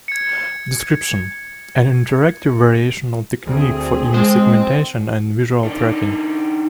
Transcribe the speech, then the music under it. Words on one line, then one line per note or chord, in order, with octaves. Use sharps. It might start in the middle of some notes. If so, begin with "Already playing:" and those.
Description: An interactive variational technique for image segmentation and visual tracking.
G#6 C#7
D2 C4 G#4
G#3 C5 G5
D#3 D4